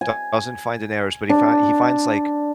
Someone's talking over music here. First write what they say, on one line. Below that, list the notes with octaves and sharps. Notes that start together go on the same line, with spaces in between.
d doesn't find Daenerys, but he find he finds, like,
G#5
D4